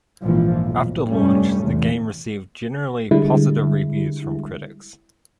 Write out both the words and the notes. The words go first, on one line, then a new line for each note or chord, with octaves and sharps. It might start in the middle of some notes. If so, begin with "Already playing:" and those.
After launch, the game received generally positive reviews from critics.
A#1 G#2 E3 F3
B1 F2 A2
F1 G2 G3 A3 C#4
E2 A2 C3
D3 G3 G#3 E4